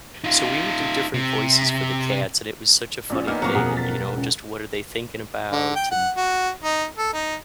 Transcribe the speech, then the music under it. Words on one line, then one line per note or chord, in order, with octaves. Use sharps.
So, we would do different voices for the cats, and it was such a funny thing, you you know, just what are they thinking about, and
D#4 F4
C3
A#1 C#4 F4
A#3 B3 D#4 F6
F2 A2 F#3 A#3 B3 A#5 C#6
E1 G#4 F#5 A#5
A6 B6
C#2
D3
G5
F#5
F#4
D#4
A4
D#4